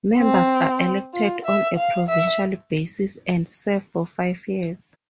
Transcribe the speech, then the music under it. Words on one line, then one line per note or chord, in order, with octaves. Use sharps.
Members are elected on a provincial basis and serve for five years.
C4
F4
E5
F5
E5